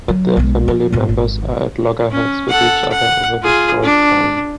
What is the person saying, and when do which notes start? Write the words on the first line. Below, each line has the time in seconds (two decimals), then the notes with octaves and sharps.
But their family members are at loggerheads with each other over this gold coin.
0.09 F#3
0.37 B1 G#3
0.68 F3
0.92 B1 G#2
1.09 G#1
2.11 C#4
2.49 A4 F#5
2.91 F#5
3.43 F4 G#4
3.83 D4